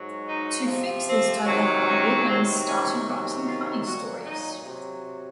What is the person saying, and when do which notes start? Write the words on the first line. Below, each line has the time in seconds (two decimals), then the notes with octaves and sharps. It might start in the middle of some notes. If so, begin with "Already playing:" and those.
To fix this dilemma Willems started writing funny stories.
Already playing: G#2 F#3
0.27 D#4
0.67 C3 F3
1.06 C4
1.46 C3 D#3 F#3
1.87 C#4
2.27 C3 D#3 F#3 C4
2.66 C#4
3.06 C3 D#3 F#3
3.46 F4
3.86 A#2 F#3 F#4
4.26 D#4
4.66 C3 F#3